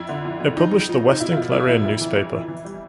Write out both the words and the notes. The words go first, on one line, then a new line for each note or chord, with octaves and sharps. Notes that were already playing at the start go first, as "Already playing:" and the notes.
It published the "Western Clarion" newspaper.
Already playing: F2 E4
D3
F2
F2
F2 D#4
F2
F3
F3
D#4
B2 E4
F4
B2 E4
E2 E4
E2 E4
F2
E3
F2
E3
E3
G3